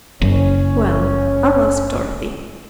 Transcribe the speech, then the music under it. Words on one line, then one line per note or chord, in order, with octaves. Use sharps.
"Well, I'll ask Dorothy."
F#1 C#4